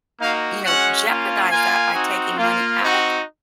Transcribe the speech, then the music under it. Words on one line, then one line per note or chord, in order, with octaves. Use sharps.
you know, jeopardize that by taking money out of
A#3 D#4 F#4 F5
G#3 C#4 F#4 F#5
A#3 C#4 F4
A#3 F4 G#5
C4 D#4 F#4
A#3 F4
C4 D#4 F#4